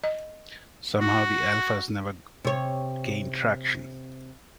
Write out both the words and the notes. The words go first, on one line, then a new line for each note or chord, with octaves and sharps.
Somehow, the Alphas never gained traction.
D#5
F#4
C3 C#5